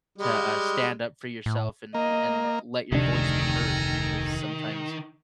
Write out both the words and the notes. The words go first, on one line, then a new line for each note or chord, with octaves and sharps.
to, uh, stand up for yourself and and let your voice be heard, because sometimes
G3 G#3
A2
A#3 D#5
F1 D2 C3 D#3 D4 A4 G#5 A#5